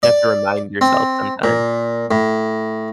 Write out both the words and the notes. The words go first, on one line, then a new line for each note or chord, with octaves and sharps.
You have to remind yourself sometime.
D5
C4
A#2
A2